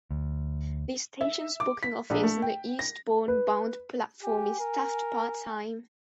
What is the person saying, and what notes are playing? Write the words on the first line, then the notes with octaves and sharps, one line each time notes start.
The station's booking office on the Eastbourne-bound platform is staffed part-time.
D2
E5
D6
B6
A#1
A3
G5
A#6
B4
G4 G#5
A#4